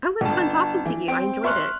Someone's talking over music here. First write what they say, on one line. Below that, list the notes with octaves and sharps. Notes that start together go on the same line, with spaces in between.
It was fun talking to you, I enjoyed it.
G1 A5
E3
C4 G5 D7
E5 C6 C#6 F6 F#6